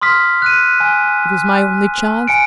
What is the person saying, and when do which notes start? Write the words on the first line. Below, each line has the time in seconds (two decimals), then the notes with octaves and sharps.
It was my only chance.
0.01 C6 D#6 F6 B6
0.42 F#6 D#7
0.80 G#5
2.28 G#5 C#7 D7